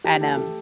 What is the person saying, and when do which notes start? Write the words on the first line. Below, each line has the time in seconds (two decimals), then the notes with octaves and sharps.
and, um
0.04 E3 G4
0.21 A3 A4
0.37 A3 G4